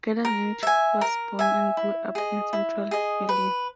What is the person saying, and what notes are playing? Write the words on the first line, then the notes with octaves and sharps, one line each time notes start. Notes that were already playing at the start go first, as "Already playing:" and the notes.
Gerda Lange was born and grew up in central Berlin.
A#4
E5 G#5
A#4
E5 G#5
E4
G#4 D#5
E4
G#4 D#5
B4